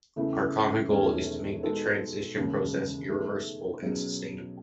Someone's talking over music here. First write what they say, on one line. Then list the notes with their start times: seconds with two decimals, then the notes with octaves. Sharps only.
Our common goal is to make the transition process irreversible and sustainable.
0.16 E2 C#3 E3 A3 E4
0.89 E1 E2 D#3 A3 C#4
1.63 B2 G#3 D#4 F#4 A4
2.35 E1 D#2 C#3 G#3
3.08 B2 A3 D#4 G#4
3.82 B1 B2 F#3 C#4 G#4